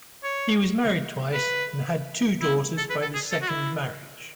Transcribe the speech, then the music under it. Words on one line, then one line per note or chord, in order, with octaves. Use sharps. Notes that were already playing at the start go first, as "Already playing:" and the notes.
He was married twice and had two daughters by the second marriage.
C#5
B4
E4
A4
B4
A4
G#4
A4
F#4
E4